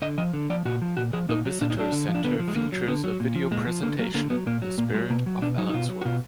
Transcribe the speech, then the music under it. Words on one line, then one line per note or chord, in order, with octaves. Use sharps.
The visitor center features a video presentation, The Spirit of Allensworth.
D3 D#5
F3 D#5
D3
F3 D5
A#2 F#4
F3
A#2 F#4
F3 G#4
A#2 D#4
F#3
A#2 D4
D#4
F#3 D4
D3
F3
D4
D3 B3
F3
G#3
D3 A#3
F#3
D3 B3
F#3
A#2
F3
A#2 G#3
F3
D3 A#3
F#3 A#3
D3 A#3
F#3 B3
A#2 A#3
F#3
A#2 A#3
F#3 G#3
B2 A#3
F#3
B2 D4
F#3 D#4
D#4
B2 F4
F#3
F#4
B2 F4